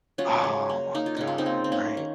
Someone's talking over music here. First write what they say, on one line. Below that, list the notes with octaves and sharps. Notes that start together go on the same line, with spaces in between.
Oh, my god, right.
F#3 C#4 F4
C#3
A#3
A#3 D#4
F4
C#3 D#4
F4
C4 D#4
A#3
C4
A#3 C#4
D#3